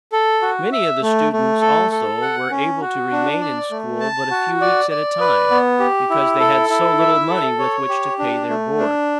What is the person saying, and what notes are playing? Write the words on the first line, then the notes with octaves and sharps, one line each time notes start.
Many of the students, also, were able to remain in school but a few weeks at a time, because they had so little money with which to pay their board.
A4
F#4
E5
A3
A3
A4
A4
F#5
C#4
F#4
D4
D5
A3
A5
F#4
D5
D5
B4
B3
G4
E4
A4
E4
E5
A4
C#5
G4
D4
A3
D4